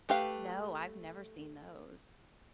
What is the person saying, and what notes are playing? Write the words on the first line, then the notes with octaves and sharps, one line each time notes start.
No, I've never seen those.
A3 G4 B4 F5